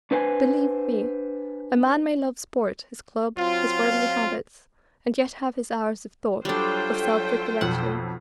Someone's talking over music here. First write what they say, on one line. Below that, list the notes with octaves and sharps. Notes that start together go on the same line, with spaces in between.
Believe me!--a man may love sport, his club, his worldly habits, and yet have his hours of thought, of self-recollection.
D4 B4 C5 G#5
F#3 C4 F4
F#3 G3 D4 F4 A4 C5 G5
B1 F2 F#5